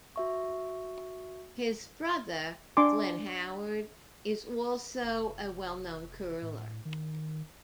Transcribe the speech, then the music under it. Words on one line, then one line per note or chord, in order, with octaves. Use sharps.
His brother, Glenn Howard, is also a well known curler.
F#4 E5 C#6
D4 G#5 C6 D6
F1
A2
D#3